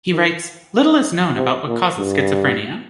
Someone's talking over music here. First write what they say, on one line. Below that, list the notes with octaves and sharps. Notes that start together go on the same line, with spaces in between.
He writes, Little is known about what causes schizophrenia.
D#3
C3
A#2
G2